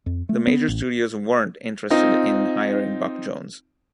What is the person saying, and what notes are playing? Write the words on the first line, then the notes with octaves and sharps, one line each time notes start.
The major studios weren't interested in hiring Buck Jones.
F2
A3
B3
A1
C4 D#4 F4